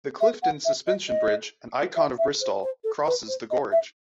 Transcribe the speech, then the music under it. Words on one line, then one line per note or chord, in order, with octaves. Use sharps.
The Clifton Suspension Bridge, an icon of Bristol, crosses the gorge.
E5
F#5
E5
D#5
D#5
E5
E5
C5
C5
A4
B4
C5
D#5
E5